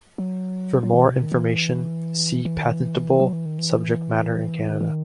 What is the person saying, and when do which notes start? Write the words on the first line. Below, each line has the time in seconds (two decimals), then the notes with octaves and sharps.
For more information see patentable subject matter in Canada.
0.18 F#3
0.83 F#3
0.93 E3
1.06 B2
1.13 C3
1.22 D#3
1.32 E3
2.45 E3
2.59 D#3
2.72 E3
3.20 F#3
3.33 E3
3.46 D#3
3.59 E3
4.71 D#3
4.81 E3
4.88 D#3